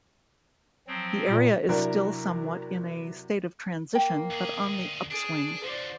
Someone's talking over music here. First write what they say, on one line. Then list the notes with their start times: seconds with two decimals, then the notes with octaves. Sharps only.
The area is still somewhat in a state of transition, but on the upswing.
0.87 F3 F#3 C4
1.28 A#2
1.69 C3 F#3 D4 E4 F#4 A#4
3.95 A#3 G5
4.31 D2 G#4
5.11 D4 G#4
5.63 D3 F3 C5 D5